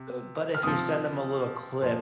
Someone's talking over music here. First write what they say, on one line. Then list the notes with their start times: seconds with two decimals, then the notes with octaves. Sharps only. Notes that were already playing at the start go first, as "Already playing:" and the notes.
uh, but, if you send them a little clip,
Already playing: C3
0.55 F6
0.63 C3 F3 D#6
1.81 A#2 F3